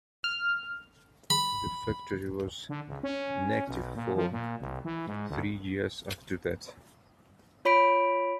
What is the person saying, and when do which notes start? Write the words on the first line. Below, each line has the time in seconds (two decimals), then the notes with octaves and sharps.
The factory was inactive for three years after that.
0.24 F6
1.30 B5
2.69 D3
2.87 C#2
3.03 C#4
3.67 B1
3.95 A#2
4.16 F3
4.32 A#2
4.60 C2
4.85 E3
5.07 G#2
5.29 D2
7.65 F4 C#5 B5 B6 D7